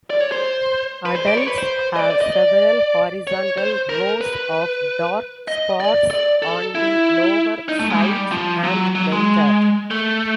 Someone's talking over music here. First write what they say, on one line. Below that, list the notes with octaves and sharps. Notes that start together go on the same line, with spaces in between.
Adults have several horizontal rows of dark spots on the lower sides and venter.
D5
C#5
C5
B4
C5
D5
C#5
B4
C5
D#5
D5
D5
D#5
D5
C#5
C5
A#4
B4
D#5
D5
D5
A4
E4
D#4
A3
G#3
G3
F3
F#3
F#3
G#3
A3